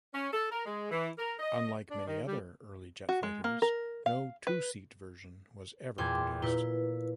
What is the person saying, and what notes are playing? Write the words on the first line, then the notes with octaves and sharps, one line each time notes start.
Unlike many other early jet fighters, no two-seat version was ever produced.
C#4
A4
A#4
G#3
E3
A#4
D#5
D4
D#3
G3
F#4
G#3
A#3
A#4
F5
B4
E2 A#2 G5 C6 D6 G#6
A#2 E4 B4